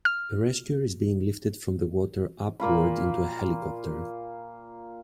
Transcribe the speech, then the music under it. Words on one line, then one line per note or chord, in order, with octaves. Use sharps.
A rescuer is being lifted from the water upward into a helicopter.
F6
A#2 A#3 F4 B5